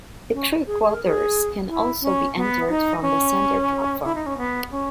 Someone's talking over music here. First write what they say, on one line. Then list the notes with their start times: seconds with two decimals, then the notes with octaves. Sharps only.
The crew quarters can also be entered from the center platform.
0.34 C#4
0.67 G#4
0.83 G#4
0.94 A#4
1.05 G#4
1.68 E4
2.02 C#4
2.36 B3
2.69 D#4
3.02 C#4
4.05 E4
4.15 D#4
4.26 C#4
4.38 B3
4.71 C#4